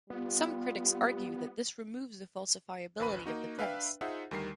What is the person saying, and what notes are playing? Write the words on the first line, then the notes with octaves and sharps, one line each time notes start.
Some critics argue that this removes the falsifiability of the premise.
G3 B3 F4 G4
A1 D2 B4 B5 D#7
A#3 D#4 F#4
D4 B4 E5 F5 G5
D#4 F4 G#4 C5 E5 F#5
D2 D#3 G3 A#4 C7